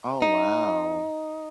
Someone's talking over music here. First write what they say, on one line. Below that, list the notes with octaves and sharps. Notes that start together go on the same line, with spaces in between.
Oh, wow.
D#4